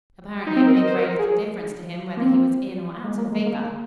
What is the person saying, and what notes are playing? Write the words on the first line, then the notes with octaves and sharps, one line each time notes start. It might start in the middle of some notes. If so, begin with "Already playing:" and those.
Apparently, it made very little difference to him whether he was in or out of favor.
D#4
C4
A#4
D#5
C5
A#4
G#4
A#3
C4
G#3
A#3
G#3
A#3